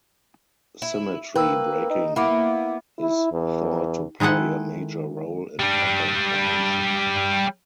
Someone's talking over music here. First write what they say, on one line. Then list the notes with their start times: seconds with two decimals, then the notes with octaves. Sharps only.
Symmetry breaking is thought to play a major role in pattern formation.
0.82 E4
1.36 A#3 B4 G5 E6
1.90 D#4
2.16 A#3 B3 E4 E5 B5 D6
2.99 E4
3.32 E2
4.20 D#3 G#3 E4 A4 F#5
5.60 G3 D4